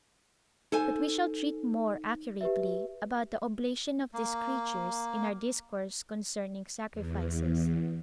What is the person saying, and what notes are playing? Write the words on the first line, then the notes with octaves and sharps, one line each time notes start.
But we shall treat more accurately about the oblation of these creatures in our discourse concerning sacrifices.
D#4 A4 C5 G#5
G4 B4 E5
A#3
E2